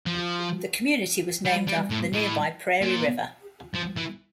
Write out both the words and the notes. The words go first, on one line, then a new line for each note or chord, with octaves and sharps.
The community was named after the nearby Prairie River.
F3
G3
G3
A2
A2
A#2
F3
E3